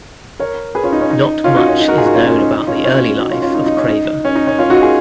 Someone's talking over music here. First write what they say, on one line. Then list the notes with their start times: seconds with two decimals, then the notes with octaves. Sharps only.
Not much is known about the early life of Craver.
0.40 A#4 C#5
0.75 G#4 B4
0.83 C#4 F4
0.93 D#4
1.01 C#4
1.10 D#4
1.44 C#4 F4
1.56 D#4 F#4
1.68 C#4
1.80 D#4
1.88 F#4 A#4
1.98 F4 G#4
2.06 D#4 F#4
2.14 C#4 F4
2.27 C#4 F4
2.38 D#4
2.59 D#4
2.67 C#4 F4
2.76 D#4
2.84 C#4 F4
3.19 D#4 F#4
3.30 C#4 F4
3.42 C#4 F4
3.55 D#4
3.66 D#4
3.77 C#4
3.89 D#4
4.25 C#4
4.35 D#4
4.47 C#4
4.59 C#4 F4
4.70 D#4 F#4
4.83 F4 G#4